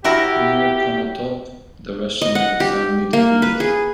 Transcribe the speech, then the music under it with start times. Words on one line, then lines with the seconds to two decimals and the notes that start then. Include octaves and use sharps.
Near Konotop, the Russians were soundly defeated.
0.04 E4 F#4 G4 A#4
2.21 D#5
2.35 F#5
2.60 G4
3.13 A#3
3.42 B4
3.60 G#4